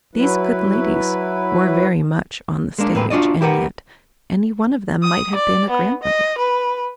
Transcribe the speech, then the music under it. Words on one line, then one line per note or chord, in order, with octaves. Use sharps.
But these good ladies were very much on the stage, and yet any one of them might have been a grandmother.
F#3 E4 B4
G#3 A#3 D4
A2 A#3 C4 B4
D4 F4 F#4 D5 D#5
E4 G4 A#4 B4 F#5
D#6
D5
B3
D#5
B4